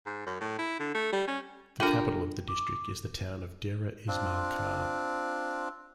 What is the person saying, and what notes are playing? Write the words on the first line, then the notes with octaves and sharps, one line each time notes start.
The capital of the district is the town of Dera Ismail Khan.
G#2
F#2
A2
E4
D3
A3
G3
C#4
D4 F4 G4 A4 A#4
D6
C4 D4 F4